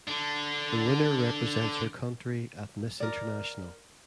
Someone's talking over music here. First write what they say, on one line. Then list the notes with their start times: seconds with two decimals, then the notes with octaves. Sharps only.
The winner represents her country at Miss International.
0.08 D3 D4
3.00 A#4 D5